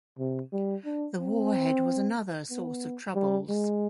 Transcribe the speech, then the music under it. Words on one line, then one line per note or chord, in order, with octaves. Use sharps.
The warhead was another source of troubles.
C3
G3
D4
C4
B3
G3
G#3